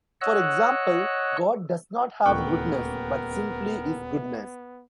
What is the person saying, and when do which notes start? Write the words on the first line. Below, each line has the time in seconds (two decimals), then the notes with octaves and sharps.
For example, God does not "have" goodness but simply "is" goodness.
0.21 C#5 D#5 F#5 E6 F#6
2.26 D#1 D2 C#3 B3 A#4 G5 C#6 F#6